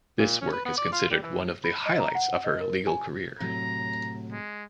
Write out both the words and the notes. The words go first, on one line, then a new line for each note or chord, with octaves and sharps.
This work is considered one the highlights of her legal career.
A#2
C#4
B4
B3
D5
F4
G3
E3
B5
D#5
A#5
F#5
D#5
A#4
G#5
A2 C3 F#3 A#5
G#3